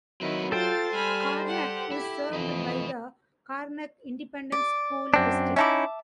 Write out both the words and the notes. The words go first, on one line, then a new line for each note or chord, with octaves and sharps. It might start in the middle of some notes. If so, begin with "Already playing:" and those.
Karnack is served by the Karnack Independent School District.
D#3 F#3 C4 E4 B4
F4 A4 C5 G5 A6
G3 G#5 B5 F6
G4 F#5
E4 G4
F2 E3 B4 D#5
D5
F#2 C4 D4
C#4 D#4 E4 E5 A5 D6